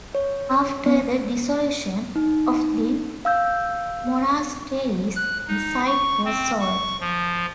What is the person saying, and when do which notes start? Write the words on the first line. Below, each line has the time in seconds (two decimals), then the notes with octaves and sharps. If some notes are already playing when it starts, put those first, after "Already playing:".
After the Dissolution of the Monasteries the site was sold.
0.15 C#5
0.86 B3
2.16 D#4
3.25 F5 E6 G6
5.16 F#6
5.47 D#4
5.87 C#6
6.25 C4
6.60 C#6
7.00 F3